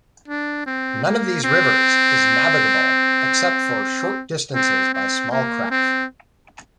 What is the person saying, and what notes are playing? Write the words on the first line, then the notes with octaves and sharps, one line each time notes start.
None of these rivers is navigable except for short distances by small craft.
D4
C4
A#3
C4
C4
C4
A#3
C4